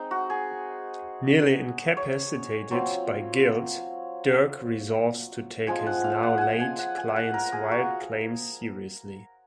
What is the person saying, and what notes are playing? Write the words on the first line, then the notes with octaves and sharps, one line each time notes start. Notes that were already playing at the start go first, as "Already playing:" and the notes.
Nearly incapacitated by guilt, Dirk resolves to take his now-late client's wild claims seriously.
Already playing: G#3 C4 D#4
F#4
G#4
C#5
F#3 C4 F4
F3 G#3 C4 F4 G#5
F#5
F5
F#5
F#5 G#5
G#5
F#5
G#5
F#5
A#4
G#4
F#4